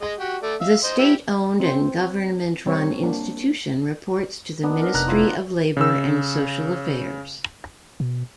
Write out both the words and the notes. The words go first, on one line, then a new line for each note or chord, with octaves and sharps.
The state-owned and government-run institution reports to the Ministry of Labour and Social Affairs.
G#3 D#5
F#4 G4
A3 D5
E5 F5
C5 D#5
E4 G4
C4 C5
G3 C4 C#5
A#3 D4
B3 D4 D#4
A#4
F1 A#5 F#6
E4 F4 E5
C#3 E6
B2